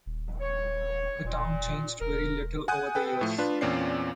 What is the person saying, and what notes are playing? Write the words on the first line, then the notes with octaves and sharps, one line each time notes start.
The town changed very little over the years.
D#1
C#5
E1 A#2
E1 A#4
F#5 G#5 D#6 F#6 G6 D#7
A4 B4 G5
A2 F3 A3
D4 F4 B4
E2 A#2 C4 C#4 D5 C7